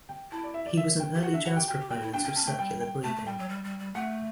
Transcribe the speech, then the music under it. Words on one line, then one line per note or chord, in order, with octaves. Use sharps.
He was an early jazz proponent of circular breathing.
G5
E4 A5
D5
E5
D5
E5
G5
G4
F#4 F#5
D4 E5
F#4 F#5
G4 G5
F#4 G5
G4
F#4 G5
E4
D4 G5
C#4 G5
C#4 A5
A3 G5
G3 G5
G5
A3 A5
A3
G3 G5
F#3
G3
G3
G3
A3 F#5